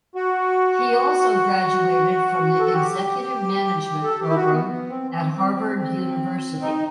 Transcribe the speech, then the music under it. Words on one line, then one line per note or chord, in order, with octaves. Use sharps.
He also graduated from the Executive Management Program at Harvard University.
F#4
A4
G4
A4
G4
E4
F#4
B3
B3
C4
C4
C4
C4
C4
D#4